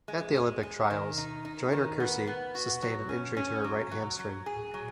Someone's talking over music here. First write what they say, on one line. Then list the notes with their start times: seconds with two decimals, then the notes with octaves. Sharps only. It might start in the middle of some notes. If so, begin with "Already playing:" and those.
At the Olympic Trials, Joyner-Kersee sustained an injury to her right hamstring.
0.08 G#3
0.36 G#3
0.63 G#3
0.90 D#3
1.18 D#4
1.45 D#4
1.72 D#3
2.00 B3
2.27 B3
2.55 F#4
2.83 F#3
3.09 C#4
3.37 C#4
3.64 F#3
3.92 F#3
4.19 F#3
4.46 G#4
4.74 F#3